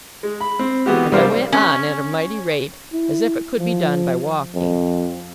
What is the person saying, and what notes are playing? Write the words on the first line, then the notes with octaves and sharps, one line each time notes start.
And I went on at a mighty rate, as if it could be done by walking.
G#3
B5
C4
E3 G#3 B3 F#4 G4
C2 G3 D4 A#4 C5 F5
C#4
E4
F3
F2